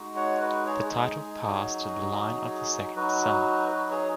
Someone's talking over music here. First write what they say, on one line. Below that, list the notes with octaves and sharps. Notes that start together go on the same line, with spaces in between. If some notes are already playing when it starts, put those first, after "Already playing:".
The title passed to the line of the second son.
Already playing: G#3 D#4 F#4
C#5 F#5
F#4 B4
G#4 C#5
G#4
G#4
G#4
F#3 D#4 F#4 G#4
F#3 D#4 F#4 B4
F#4 B4
G#4 C#5